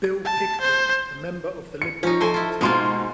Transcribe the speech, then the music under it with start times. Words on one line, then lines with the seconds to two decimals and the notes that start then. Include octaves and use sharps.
Bill Pickering, a member of the Liberal Party.
0.25 A5
0.60 C5
1.82 C#7
2.03 F3 C#4 D#4
2.21 F3 A4 C5 G#5
2.34 E4 F4
2.61 G#2 B2 G#3 A#3 F4 C6